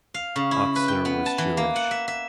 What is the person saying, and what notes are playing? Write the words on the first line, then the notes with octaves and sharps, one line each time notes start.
Oksner was Jewish.
F5
C#3
E4
B4
G5
B3
A5
E3
A#3
F#5
E5
E5